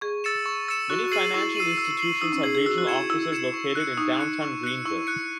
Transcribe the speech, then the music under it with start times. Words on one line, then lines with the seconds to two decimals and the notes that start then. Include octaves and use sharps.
Many financial institutions have regional offices located in downtown Greenville.
0.01 G#4 C#6
0.24 E6 A6 C#7 E7
0.46 C#6
0.68 E6 A6 C#7 E7
0.90 F#4 C#6
1.04 F#4
1.12 G#4 E6 C7 D#7 F#7
1.34 E4 C#6
1.55 E6 C7 D#7 F#7
1.78 E6
1.99 C7 F#7
2.21 D#4 E6
2.32 C#4
2.43 G#4 C7 F#7
2.55 G#4
2.66 F#4 E6
2.78 F#4
2.87 E4 G#6 C#7 E7
3.10 E4 E6
3.32 G#6 C#7 E7
3.54 C#6
3.75 F#6 C#7
3.97 D#4 C#6
4.19 F#6 C#7
4.41 C#6
4.63 F#6 C#7
4.85 E4 C#6
5.07 F#6 C#7